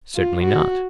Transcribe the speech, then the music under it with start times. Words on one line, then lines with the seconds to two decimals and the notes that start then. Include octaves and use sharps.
Certainly not.
0.16 F4
0.45 F#4